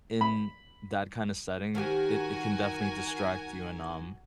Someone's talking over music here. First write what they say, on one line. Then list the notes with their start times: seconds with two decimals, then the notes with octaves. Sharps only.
in that kinda setting, it it can definitely distract you, and, um,
0.21 B5
1.75 D#3 F#4 G4 A#4 G#5